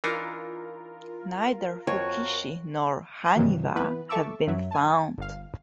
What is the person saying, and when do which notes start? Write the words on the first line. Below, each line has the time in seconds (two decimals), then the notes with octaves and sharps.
Neither "fukiishi" nor "haniwa" have been found.
0.04 E3 D4 D#4 F4 A#4
1.87 F2 F#4 C#5
3.36 G2 C3 D#3 E3 F#3
3.75 E3 B3 B4
4.09 A4 E5 A5 C#6 D6 E6
4.47 F#2 F#3 E5
4.71 G#5 A5
5.18 G1 F5